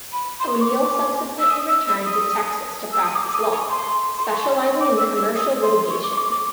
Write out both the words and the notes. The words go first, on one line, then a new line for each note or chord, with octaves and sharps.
O'Neill subsequently returned to Texas to practice law, specializing in commercial litigation.
B5
C6
C#6
D6
C#6
D6
E6
D#6
E6
E6
D#6
E6
D#6
D6
D6
D#6
C#6
C6
C6
C#6
D6
E6
E6
D#6
C6
C#6
D6
C#6
D6
D6